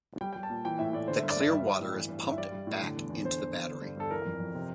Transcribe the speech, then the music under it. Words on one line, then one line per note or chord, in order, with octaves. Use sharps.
The clear water is pumped back into the battery.
G3 G5
G5
G3
A5
A#2
E3 G5
A2 E5
A2 D5
D3 C5
E5
G2
D5
G2 E5
G3 E5
G3
A2
E3
G2
G2
E5
G3 D5
G3
A2
D3
E2
E2
D3 C5
E2
E2
D3
G2
G2 A4
E3 A#4
F2
F2
C3